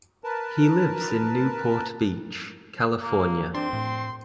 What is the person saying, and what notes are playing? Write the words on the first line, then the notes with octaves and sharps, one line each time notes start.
He lives in Newport Beach, California.
A#4 B4 A5
A#3
C4 D4 C6
A2